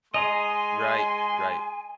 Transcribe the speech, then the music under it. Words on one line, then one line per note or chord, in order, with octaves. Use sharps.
Right, right.
G#3 D#5 G#5 A#5 C6